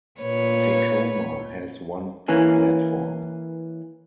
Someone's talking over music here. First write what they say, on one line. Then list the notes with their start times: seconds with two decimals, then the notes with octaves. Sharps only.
Tecoma has one platform.
0.21 A#2 B4 C#5
2.28 E3 A#3 C#4